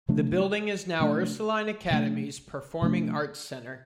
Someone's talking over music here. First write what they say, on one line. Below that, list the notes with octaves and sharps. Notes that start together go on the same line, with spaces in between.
The building is now Ursuline Academy's Performing Arts Center.
C3 F3 A3 D4
C3 F3 A3 D4
C3 F3 A3 D4
C3 F3 A3 D4